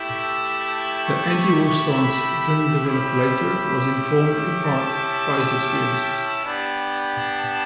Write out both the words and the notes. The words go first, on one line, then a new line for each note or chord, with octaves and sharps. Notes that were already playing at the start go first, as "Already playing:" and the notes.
The anti-war stance Zinn developed later was informed, in part, by his experiences.
Already playing: A3 E4 G4
A5
A5
C#6
C#6
C#6
B5
C#4 E4 G4 B5
A5
B3 D4 G4
A5